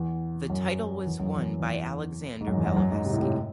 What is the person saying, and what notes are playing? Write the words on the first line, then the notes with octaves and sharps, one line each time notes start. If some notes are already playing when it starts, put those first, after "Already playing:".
The title was won by Alexander Beliavsky.
Already playing: E2
F#2
E2
F#2
E2
E2
G#2
F#2
E2
F#2
F#2
G#2
C3
A2
C3